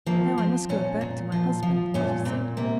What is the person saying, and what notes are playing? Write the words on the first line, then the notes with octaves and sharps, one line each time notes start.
"Now I must go back to my husband," she said.
F3 A#3
F3 C4
A#2 C#4
A#2
F3
F3
A#2 C#4
A#2 C4
C3 A#3